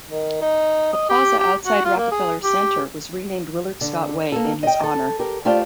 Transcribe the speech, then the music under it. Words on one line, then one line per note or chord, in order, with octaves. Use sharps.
The plaza outside Rockefeller Center was renamed Willard Scott Way in his honor.
D#3
D#4
D#5
G4
G4
F#4
F4
A#3
G#4
G4
D3
A#3 A4
D#5 G5
A4
G4 A#4
A3 F4 G4 C5 D5 F5